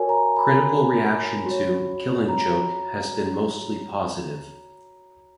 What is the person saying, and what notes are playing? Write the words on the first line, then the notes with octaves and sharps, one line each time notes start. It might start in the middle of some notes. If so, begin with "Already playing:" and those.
Critical reaction to "Killing Joke" has been mostly positive.
Already playing: F#4 A#4 C#5 G#5
A#5
B5
F#4
C#5
A#5